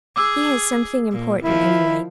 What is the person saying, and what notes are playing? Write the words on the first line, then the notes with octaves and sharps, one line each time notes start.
He has something important, anyway.
G#4 D6 E6
A#2
D#3 F3 E4